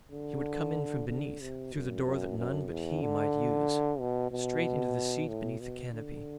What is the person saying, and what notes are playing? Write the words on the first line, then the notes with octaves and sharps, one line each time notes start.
He would come in from beneath through the door that none but He might use, straight into the seat beneath the canopy.
D3
D3
C3
F#2
F#2
F#2
E2
D3
B2
B2
A2
B2
D3